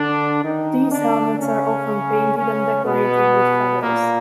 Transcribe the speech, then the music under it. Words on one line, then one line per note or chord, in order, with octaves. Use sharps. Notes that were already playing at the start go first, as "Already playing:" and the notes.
These helmets are often painted and decorated with feathers.
Already playing: D3 D4
D#3 D#4
D3 D4
C#3 C#4
C#3 C#4
B2 B3
A#2 A#3